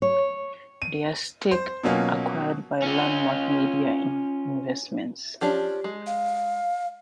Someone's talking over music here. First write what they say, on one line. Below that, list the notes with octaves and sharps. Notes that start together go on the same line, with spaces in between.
Their stake acquired by Landmark Media Investments.
C#5
D#7
C5
B2 F#3 A#3 C#4 F4
C#4 F4
F3 C#4 D4 G4
G#3
F5